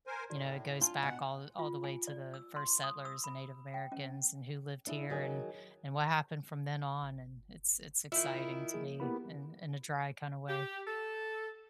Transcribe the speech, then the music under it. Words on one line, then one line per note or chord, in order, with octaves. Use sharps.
you know, it goes back all all the way to the first settlers and Native Americans and who lived here and and what happened from then on, and it's it's exciting to me in in a dry kinda way.
A#4 C5 G#5
A2 D#4 F#4 D5
D4 F4 A5
B2 D#5 F#5 G#5
F4
G#5
D5
E6
C6
D#6
E6
B5
G5
C#4
D4 E4 G#4
D#3 F#3 G#4
G1
D#3 E4 F4
F3 A#3 G#4
A#3 B3 E4 G4 B5
G4
A4